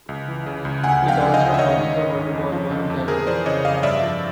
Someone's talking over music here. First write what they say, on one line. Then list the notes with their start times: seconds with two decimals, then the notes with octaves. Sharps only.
It also houses a World War One cannon.
0.09 C#2
0.28 E3
0.46 C#3
0.65 C#2
0.84 D2 F#5 G#5
1.02 F3
1.08 F5 G5
1.21 C#3
1.34 D#5 F5
1.40 D2
1.54 E5
1.58 D#3 C#5 D#5
1.77 G#2
1.96 D#3
2.15 G#2
2.33 F2
2.52 F3
2.71 D3
2.90 F2
3.08 F2 G#4 A#4
3.27 E3 C5 D5
3.46 C#3 C#5 D#5
3.65 F2 D#5 F5
3.83 G2 D5 E5
4.02 F3